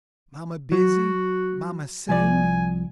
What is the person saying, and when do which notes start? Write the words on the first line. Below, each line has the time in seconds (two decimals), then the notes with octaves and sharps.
"Mama busy; mama sing."
0.72 F#3 F#4
2.09 C2 F3 D5 G#5